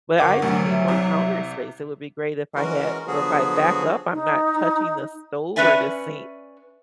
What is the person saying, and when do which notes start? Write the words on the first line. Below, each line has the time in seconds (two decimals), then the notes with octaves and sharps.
but I do need more counter space. It would be great if I had or if I back up, I'm not touching the stove, or the sink
0.18 G1 A#4 F#5 D6
0.42 G#1 D2 C3 F#3
0.71 E5
0.88 C2 C3
2.55 E3 G#3 C#4 F#4 A#4
3.07 D3 F3 F#3 B3 F#4 G#4
4.11 D#4
5.56 C#4 F4 B4 D5 E5 G#5